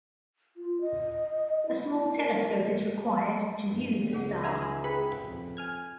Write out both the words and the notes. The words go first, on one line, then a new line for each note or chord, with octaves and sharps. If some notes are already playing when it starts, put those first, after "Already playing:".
A small telescope is required to view the star.
F4
D#5
E4
A#4
G2
C#2 C#4 G#4 F#5
E5 F#5 G#5 A#5 C6 E6
G#4 B4 G5 B5
F2
G#5 F6 G#6